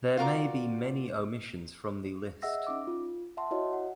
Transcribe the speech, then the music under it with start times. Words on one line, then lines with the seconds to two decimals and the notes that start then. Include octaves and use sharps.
There may be many omissions from the list.
0.17 F4 F#4 A#4 D5
2.42 G#4 D#5 E5 F#5 E6 A#6
2.67 C#4 D#4 D6
2.87 F4
3.37 E5 F#5 A5 C6
3.51 E4 F#4 C#5 D#5
3.73 F#5